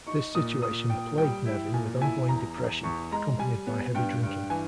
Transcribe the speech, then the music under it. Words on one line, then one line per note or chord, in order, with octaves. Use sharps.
This situation plagued Nevin with ongoing depression, accompanied by heavy drinking.
D#4 C#6
A#2 D#6
A#2 D#6
A#2 G5
G3 G5
E4
A#2 G#5
E4 G#5
E2 A#5
E2
E2 C#6
G#3 A#5
G3 G#5
B3
G2 G5
G2
E3 G#5